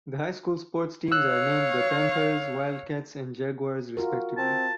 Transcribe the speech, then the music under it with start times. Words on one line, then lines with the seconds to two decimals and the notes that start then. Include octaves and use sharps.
The high school sports teams are named the Panthers, Wildcats, and Jaguars, respectively.
1.12 C#5 F5 E6 F#6
3.97 F4 F#4 A#4
4.38 C4 A5